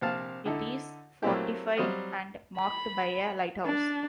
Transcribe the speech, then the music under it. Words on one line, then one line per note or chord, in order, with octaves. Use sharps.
It is fortified and marked by a lighthouse.
A#1 C3 C4 F5 A5
D3 D#4 E4 A4
F#3 A3 A#3 C4 E4 G4
F#3 G3 C4 C5 D#5 F5
B5
D4